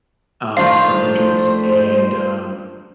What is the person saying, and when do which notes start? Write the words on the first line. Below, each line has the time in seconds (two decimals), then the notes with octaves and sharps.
um, from injuries and, um,
0.57 F2 D#3 A3 D4 F4 C5 F5